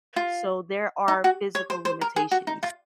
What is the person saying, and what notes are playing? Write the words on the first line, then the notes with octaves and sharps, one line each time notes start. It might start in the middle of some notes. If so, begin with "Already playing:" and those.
so, there are physical limitations
F4
D#4
F#4
C#5
C5
C5
A#4
G#4
F#4
D#4
F4